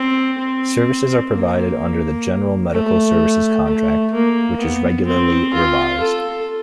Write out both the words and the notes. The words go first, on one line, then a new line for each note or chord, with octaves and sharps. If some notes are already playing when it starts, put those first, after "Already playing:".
Services are provided under the General Medical Services Contract, which is regularly revised.
Already playing: C4
C4
A#3
A3
A3
A#3
B3
C4
F4
A4